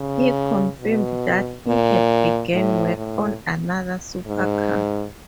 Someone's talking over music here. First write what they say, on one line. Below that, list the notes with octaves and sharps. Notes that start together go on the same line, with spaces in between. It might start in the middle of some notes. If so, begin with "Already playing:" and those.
He confirmed that he had begun work on another supercar.
Already playing: C#3
B2
A#2
A2
A2
G#2